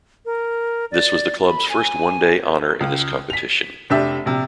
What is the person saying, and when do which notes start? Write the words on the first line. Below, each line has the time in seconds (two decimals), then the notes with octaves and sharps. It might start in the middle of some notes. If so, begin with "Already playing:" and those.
This was the clubs first one day honour in this competition.
0.25 A#4
0.92 D5
1.46 B5
1.69 G#5
2.81 C#2
3.30 B6 F7
3.90 F1 D4 G4 E5
4.26 A#1 C3